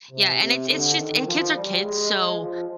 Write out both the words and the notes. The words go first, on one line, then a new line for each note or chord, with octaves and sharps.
yeah, and it's it's just a kids are kids, so,
C3
C3
D3
D#3
F3
G3
G#3
G#3
F3